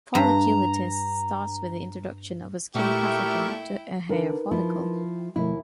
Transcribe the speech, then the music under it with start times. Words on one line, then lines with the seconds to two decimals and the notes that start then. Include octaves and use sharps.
Folliculitis starts with the introduction of a skin pathogen to a hair follicle.
0.15 G2 A#5
2.75 A#2 A3 E4 G4 A#4 E5 G5 C#6
4.09 D3 D#4 A#4 B4
4.51 F3 E4
5.36 D#2 B2 F3 A3 E4